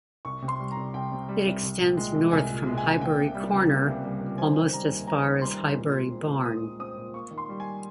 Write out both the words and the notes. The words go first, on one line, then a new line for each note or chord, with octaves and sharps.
It extends north from Highbury Corner almost as far as Highbury Barn.
C2 C#6
C3
C6
G3
A#5
C2
C2 G5
C3
G3
C2
C2
A#2
G#3
C2
C2 G#5
A#2
G#3
G#5
C2
A#3 G5
C3
G3
C#2
A#3
C3
G3
C#2
C4 G#5
D#3
G3 A#5
D#2
C4 A#5
D#3
G3 C6
D#2
A#2
G#3
C4
A#2
A#2 D#6
G#3
C4 D#6
A#2
A#3 C#6
D#3
C6
G3
G#5